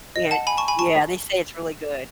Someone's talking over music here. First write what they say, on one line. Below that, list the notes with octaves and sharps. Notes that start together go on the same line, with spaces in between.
Yeah, yeah, they say it's really good.
D#5
F#5 A5
G#5 B5
A5 C#6
G#5 B5
A5 C#6